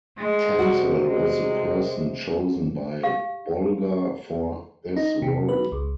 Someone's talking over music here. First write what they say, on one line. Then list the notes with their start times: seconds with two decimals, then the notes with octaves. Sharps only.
Tapsell was the person chosen by Bolger for this role.
0.17 G#3
0.59 C3 G3 F#4
1.06 G#3
3.03 G4 F5
4.97 D#4
5.22 C3
5.49 B4
5.72 C#2